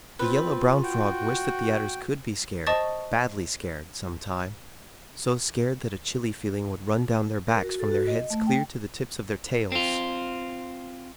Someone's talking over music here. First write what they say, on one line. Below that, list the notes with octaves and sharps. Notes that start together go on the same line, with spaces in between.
The Yellow Brown Frog wished that the Adders could be scared, badly scared, some time: so scared that a chilly feeling would run down their backs from their heads clear to the tips of their tails.
C4 F4 B4
F#4 G5
C5 D#5 A5 C#6 D#6 A6
A#4
F#4
A4
F#4
D#5
A3
G5
C4 F4